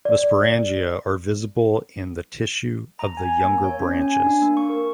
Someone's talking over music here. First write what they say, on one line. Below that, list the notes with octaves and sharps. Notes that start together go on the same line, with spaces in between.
The sporangia are visible in the tissue of the younger branches.
D5
A#5
G#5
A#3
C#5
C#4
G#5
D4
A#3
C#6
A#4